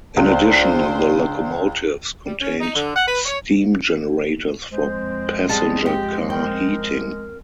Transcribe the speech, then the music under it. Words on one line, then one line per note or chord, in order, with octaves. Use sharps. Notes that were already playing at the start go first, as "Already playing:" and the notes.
In addition the locomotives contained steam generators for passenger car heating.
C#2 D4 C5
G3
C#4
D#4
D3
F#5
B4
C#5
F2 G#3 C4 C5
G3 G#4 F5 A5
G4
A#4 G5